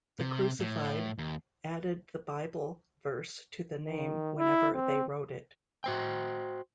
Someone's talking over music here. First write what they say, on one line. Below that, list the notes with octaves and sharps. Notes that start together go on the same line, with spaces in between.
The Crucified added the Bible verse to the name whenever they wrote it.
C3
A2
D#2
D#3
E4
C4
F#4 C5 G5